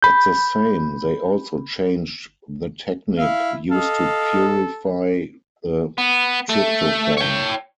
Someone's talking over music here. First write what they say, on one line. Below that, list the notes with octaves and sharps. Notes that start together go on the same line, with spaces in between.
At the same, they also changed the technique used to purify the tryptophan.
B5 G6
E4 F5
A4 D#5 F5
B3
A3
C#5 G5